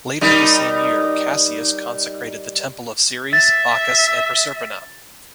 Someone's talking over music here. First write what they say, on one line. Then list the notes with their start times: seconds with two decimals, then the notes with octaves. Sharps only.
Later the same year, Cassius consecrated the temple of Ceres, Bacchus, and Proserpina.
0.21 G3 D#4 A#4
3.33 E5 A6